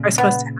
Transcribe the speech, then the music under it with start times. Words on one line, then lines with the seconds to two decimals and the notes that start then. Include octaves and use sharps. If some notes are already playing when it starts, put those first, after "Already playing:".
are supposed to
Already playing: A#2 C#3
0.18 B3